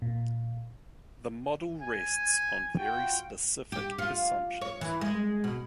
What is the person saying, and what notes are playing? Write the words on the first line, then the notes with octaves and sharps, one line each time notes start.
The model rests on very specific assumptions.
A#2
G#5
F4 F#4 G5
G4
F4
C#5
E3
G#3
B2